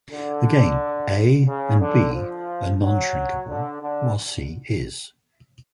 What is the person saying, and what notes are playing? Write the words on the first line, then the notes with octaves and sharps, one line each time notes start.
Again, "a" and "b" are non-shrinkable while "c" is.
D3
C#3
D3
F3
F#3
D3
D3